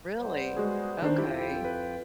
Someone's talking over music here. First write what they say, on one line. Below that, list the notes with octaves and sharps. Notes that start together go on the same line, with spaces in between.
Really? Okay.
G3 B3 C5
G#3 F#4 G#4
D#3 D4 C5
F2 E4 F4 G4 G5
B4